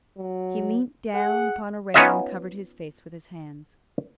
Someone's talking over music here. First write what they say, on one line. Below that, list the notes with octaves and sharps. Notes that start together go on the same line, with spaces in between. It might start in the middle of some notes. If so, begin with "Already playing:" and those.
He leant down upon a rail, and covered his face with his hands.
F#3
G#4 F#5
B3 C#4 D#4 F4 D#5 E5